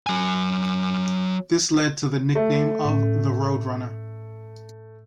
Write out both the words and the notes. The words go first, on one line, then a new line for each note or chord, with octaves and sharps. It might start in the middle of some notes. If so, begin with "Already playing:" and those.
This led to the nickname of the Roadrunner.
F#3 G#5
A3
A2 C#4